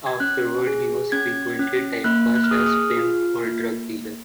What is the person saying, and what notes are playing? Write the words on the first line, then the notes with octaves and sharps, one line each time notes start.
Afterward, he was frequently typecast as pimp or drug dealer.
G#6
C#4 F#6
G#4
C#4 G#6
C#4
A#3 F#6
F#6
F6
G#4 D#6
F6
D#6
F4 F6
A#3